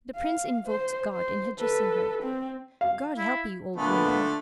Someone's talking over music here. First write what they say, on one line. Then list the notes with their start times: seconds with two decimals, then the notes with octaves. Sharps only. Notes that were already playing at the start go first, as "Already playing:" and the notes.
The prince invoked God in addressing her: "God help you, old woman!"
0.15 F5
0.67 C5
1.14 C5
1.59 A4 B4
2.22 C4
2.81 F5
3.17 E4
3.76 A#2 D3 A3 B3